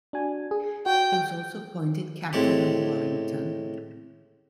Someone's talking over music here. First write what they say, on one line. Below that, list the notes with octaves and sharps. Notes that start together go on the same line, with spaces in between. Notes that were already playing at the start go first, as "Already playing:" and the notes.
He was also appointed captain of Warrington.
D4 F#4 G#5
G#4
F#4 G5
A2 G#3 C4 G4